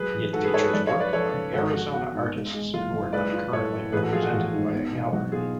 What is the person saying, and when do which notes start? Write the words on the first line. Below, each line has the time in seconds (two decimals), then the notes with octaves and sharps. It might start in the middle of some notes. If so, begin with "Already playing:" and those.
It features work by Arizona artists who are not currently represented by a gallery.
Already playing: F#3 G#4 B4
0.14 A1
0.33 G#2 F#4 A4
0.44 G#4 B4
0.53 G#2 A4 C#5
0.63 G#4 B4
0.73 F#2 B4 D5
0.87 C#5 F5
0.94 F3
1.00 B4 D5
1.13 F3 A4 C#5
1.33 C#3
1.53 G#1 F#4 A4
1.73 F3 F#4
1.93 B3 F#4
2.13 G#2
2.33 G#3
2.53 G#3
2.73 F#1 F4
2.93 F#1
3.13 G#3 B4 D5
3.33 F4
3.52 A2 A4 C#5
3.73 A2
3.92 A1 G#4 B4
4.02 F#4 A4
4.12 F3 F4 G#4
4.22 F#4
4.33 A1 F#4
4.53 G#2
4.73 B3
4.92 B2
5.13 F#3 F#4
5.32 B2 F4 G#4